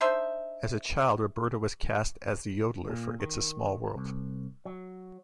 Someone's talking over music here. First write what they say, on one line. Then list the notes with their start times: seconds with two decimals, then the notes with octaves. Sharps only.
As a child Roberta was cast as the Yodeler for "It's a Small World".
0.01 D4 D#4 C5 E5
2.89 A#2
3.20 D#3
3.96 C2
4.65 F#3